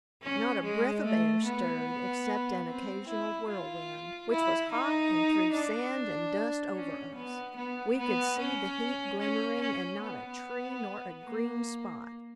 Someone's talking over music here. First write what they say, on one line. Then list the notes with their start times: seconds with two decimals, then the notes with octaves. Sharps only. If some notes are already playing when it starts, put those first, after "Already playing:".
Not a breath of air stirred except an occasional whirlwind, which was hot and threw sand and dust over us. We could see the heat glimmering, and not a tree nor a green spot.
0.23 C#4
0.64 G#3
1.04 A3
1.45 B3
2.67 C4
3.08 E4
3.49 F4
4.31 E4
4.72 D#4
5.53 D4
6.75 C#4
7.16 B3
7.56 B3
7.98 B3
8.39 C#4
9.20 C#4
9.61 C#4
10.02 B3
11.24 A#3